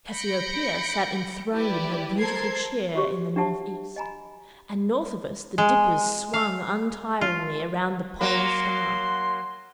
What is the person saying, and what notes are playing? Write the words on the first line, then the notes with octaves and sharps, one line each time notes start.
Cassiopeia sat enthroned in her beautiful chair in the north-east; and north of us the Dippers swung untiringly around the Pole Star.
B5 G6 A#6 C#7 D7
E4 G4 B4 D5
A4 A#4 C5 G#6 C7
F#4 G4 C#5 C#6
D4 G4 E5 F#5 A5
D#5 G#5 A#5 B5
G#3
F5
F4
F#3 A#3 C6